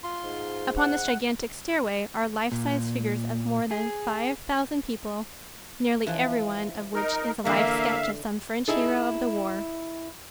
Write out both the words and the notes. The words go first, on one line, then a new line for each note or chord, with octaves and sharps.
Upon this gigantic stairway are life-size figures of more than five thousand people nearly everyone of which is a life sketch of some French hero of the war.
F4 C6
G#2
F#5
A#2
G#4
E3 F3
D#4 A#4
D3 E3 A#3 E5 F5
D#4 E4 G#4 A4